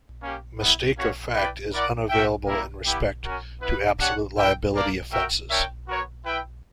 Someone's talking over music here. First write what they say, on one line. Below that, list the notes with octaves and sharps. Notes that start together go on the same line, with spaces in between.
Mistake of fact is unavailable in respect to absolute liability offences.
A#3 C#4 G4
G3 B3 E4
A#3 C#4 F#4 C#5
E4 B4 D5 G5
E4 A#4 D5 F#5
F#4 A#4 E5 G5
G3 A#3 E4 A#4
B3 E4 G4
C#4 F#4 A#4
B3 E4 B4
D4 G4 C#5 F#5
E4 A#4 E5 G5
A#3 D4 A#4 D5
F#4 A#4 E5 G5
D4 A#4 C#5 E5 G5
B3 F#4 A#4 C#5
E4 B4 E5 G5